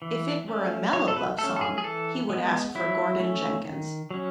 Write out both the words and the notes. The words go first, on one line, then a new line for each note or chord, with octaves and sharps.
If it were a mellow love song, he would ask for Gordon Jenkins.
E3
A3 C#4
F#3 C#5
A4
B4
A3 A4
C#4
A4
G#4
G#4
E3 A4
G#3 B3
F#3 E4
A3 C#4
D#3
F#3 C#4